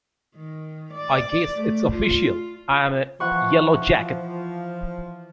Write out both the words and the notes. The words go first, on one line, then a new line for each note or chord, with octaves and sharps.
I guess its official, I'm a yellowjacket!
D#3
D5
A3
F4
E3 F3 F#5 C#6